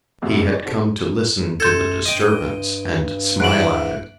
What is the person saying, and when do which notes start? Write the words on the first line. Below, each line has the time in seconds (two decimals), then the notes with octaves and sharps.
He had come to listen to the disturbance, and smile at it.
0.22 A#1 F2 C3 F#4 E5 E6
0.38 C#2 C#3
0.50 D#4 G#4 C#5 D5
0.64 C4 F#4 A4
1.60 F#2 A4 C6 G6 G#6
2.06 G2 D#5 G5
3.40 G#2 E3 F#6 D7 F#7